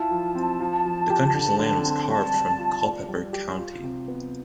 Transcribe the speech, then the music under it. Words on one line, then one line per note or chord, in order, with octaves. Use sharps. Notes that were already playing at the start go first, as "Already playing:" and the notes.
The county's land was carved from Culpeper County.
Already playing: E4 F4 A5
F3
C4
F3
F3
G4
D3
D3
C4
G3 A5
G3
F4
D5
G3
G4
F4
C3
B3